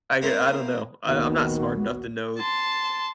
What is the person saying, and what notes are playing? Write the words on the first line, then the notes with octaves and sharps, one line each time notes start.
I I don't know, I I'm not smart enough to know
A#3 C4 E4 A#4 C5
A#1 D#2 D#3 B3 F#4
A5 C6